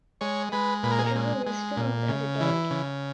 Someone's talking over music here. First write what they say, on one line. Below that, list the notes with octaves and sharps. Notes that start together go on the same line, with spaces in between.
The drama was filmed as it aired.
G#3 C#5
G#3 B4
A#2 B4
A#4
G#4
A#4
G#3
G#3
A#2
C#3
E3
C#3